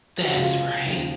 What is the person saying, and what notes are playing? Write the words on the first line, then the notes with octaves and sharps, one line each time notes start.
That's right.
F#4
C#2 C#3 F3 G#3 F4
D#2 C#3 F3